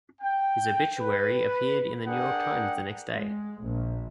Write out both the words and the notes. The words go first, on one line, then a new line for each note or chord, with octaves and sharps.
His obituary appeared in the New York Times the next day.
G5
B4
D4 G#4 A#4 F#5 G5
G#3
A#1